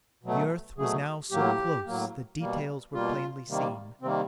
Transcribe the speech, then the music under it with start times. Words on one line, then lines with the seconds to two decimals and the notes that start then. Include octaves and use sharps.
The Earth was now so close that details were plainly seen.
0.24 B2 F#3 A3
0.77 B2 F#3 A3 G#4
1.31 A2 F#3 A#3 G4
1.86 A2 F#3 A#3
2.39 B2 G3 A#3
2.94 B2 G3 A#3 F4
3.48 C3 D#3 G3 A#3
4.02 C3 D#3 G3 A#3 C4